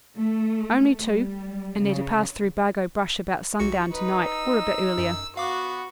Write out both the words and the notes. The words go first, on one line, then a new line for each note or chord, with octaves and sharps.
'Only two; and they're to pass through Bargo Brush about sundown to-night, or a bit earlier.
A3
G3
C#3
B1 F#4 C#7
D#4 B4
E6
F#2
B3 F#4 F5 D6